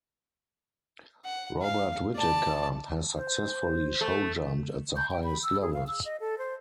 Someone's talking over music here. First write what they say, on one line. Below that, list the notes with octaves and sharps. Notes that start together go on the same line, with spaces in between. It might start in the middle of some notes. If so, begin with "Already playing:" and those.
Robert Whitaker has successfully show jumped at the highest levels.
F#5
F5
D5 A5
C5
A3
G6
G5
B5
E6
G#4
F5
E6
D#5
A4
C5